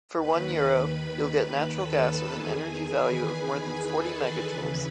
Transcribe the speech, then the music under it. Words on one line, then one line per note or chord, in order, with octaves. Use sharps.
For one Euro, you’ll get natural gas with an energy value of more than forty mega joules.
D#2 D#3 B4 B5
B4 B5
A4 A5
E2 D#3 G#4 G#5
B4 B5
A4 A5
D#2 C#3 E3 B4 B5